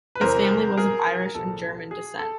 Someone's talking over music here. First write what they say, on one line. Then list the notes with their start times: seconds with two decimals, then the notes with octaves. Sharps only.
His family was of Irish and German descent.
0.15 B4
0.21 E2 C3 E3 A#4 C5
0.77 G#4 A#4
1.34 C2 A#2 F3 A4
1.91 G#4
2.19 A4